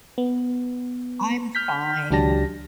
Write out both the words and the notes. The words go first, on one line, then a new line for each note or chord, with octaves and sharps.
I'm fine
B3
F6 G6 B6
C#2 F#3 D4 G4 A5 A#6